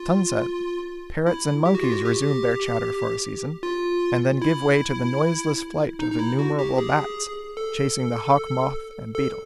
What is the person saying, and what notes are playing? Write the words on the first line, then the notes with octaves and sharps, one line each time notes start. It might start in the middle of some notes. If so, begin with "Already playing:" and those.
At sunset parrots and monkeys resume their chatter for a season, and then give way to the noiseless flight of innumerable bats chasing the hawk-moth and beetle.
Already playing: F4
E4
G4
F#4
F4
F#4
G4
F4
E4
D#4
D#4
E4
F#4
G4
G#4
A4
A4